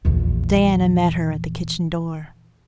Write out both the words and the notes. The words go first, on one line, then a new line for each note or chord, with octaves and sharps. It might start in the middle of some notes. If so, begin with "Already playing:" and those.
Diana met her at the kitchen door.
A#1 E2